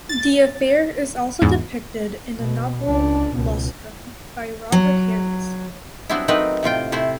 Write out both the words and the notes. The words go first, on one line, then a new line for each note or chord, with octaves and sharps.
The affair is also depicted in the novel "Lustrum" by Robert Harris.
A6
E2 G#2
B2
C#2 D4
C#2 B2
F#3
F#3 G3 B3 C4 D4 E4
F#3 A3 C4 D#4 A#4 B4
A2 C3 F4 G5
C3 A3 E4 C5